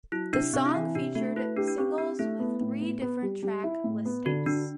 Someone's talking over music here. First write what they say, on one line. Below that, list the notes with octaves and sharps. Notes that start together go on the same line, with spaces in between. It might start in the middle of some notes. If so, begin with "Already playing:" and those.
The song featured singles with three different track listings.
F#3 E4
C3 D4
C3 C4
E4
E3 D4
C3 D4
A3 F#4
E4 B4
D4 G4
D4
C4 G4
D4 G4
A3 E4
B3
A2
B3
B3
G3
G3
E4
A2
B3
D3 F#4
D3 D4